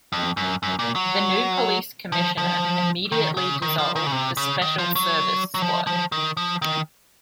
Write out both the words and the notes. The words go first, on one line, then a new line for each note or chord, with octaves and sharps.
The new police commissioner immediately dissolved the Special Service Squad.
F2
F#2
F#2
A#2
F#3
F3
F3
D#3
C#3
D#3
F3
D#3
C#3
C3
C#3
D#3
F3
F#3
F#3
F3
F3
D#3
F3
D#3